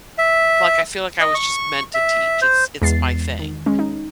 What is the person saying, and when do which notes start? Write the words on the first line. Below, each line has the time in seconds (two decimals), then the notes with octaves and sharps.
like, I feel like I was just meant to teach it's it's my thing.
0.18 E5
1.20 D#5
1.34 C#6
1.94 E5
2.42 C5
2.82 E2 G#3 A6 C7
3.39 D#3
3.66 G#3 C#4
3.79 D#4